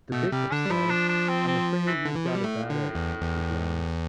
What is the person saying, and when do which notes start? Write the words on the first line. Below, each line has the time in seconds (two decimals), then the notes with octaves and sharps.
The bishop says: I'm afraid you've got a bad egg, Mr Jones.
0.12 B2 A3
0.32 C3 G3
0.52 D3 D4
0.66 G3
0.70 F3 E4
0.90 D4
1.09 D4
1.28 C4
1.48 C4
1.87 E3
2.05 D3
2.16 E3
2.25 B2 F3
2.35 G3
2.44 A2 A3
2.70 D3
2.95 E2
3.21 E2